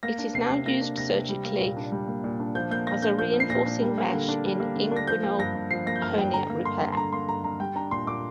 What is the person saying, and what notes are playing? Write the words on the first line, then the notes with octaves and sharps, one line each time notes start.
It is now used surgically as a reinforcing mesh in inguinal hernia repair.
A#3 A#6
D4
C3 C7
C3
A#3 A#6
D4
C3 A#6
C3
G3
A#3
A#2
D4
G3
A#3
A#2
D4
F3 G6
A#3 G6
A#2 A#6
D4 G6
F3 G6
A#3
C7
A#2 A#6
D4
G3
A#3
D3
D4
G3
A#3
D3
D4
A#6
F3 G6
A#3
G2 A#6
G2
F3 C7
A#3 A#6
G6
G2 F6
G2 G5
D3 A#5
A#3
G2 C6
G2
C6
D3 A#5
A#3 C6
G2 A#5
G2 A#5
G3 G5
D4 A#5
A#2 C6
A#2 D6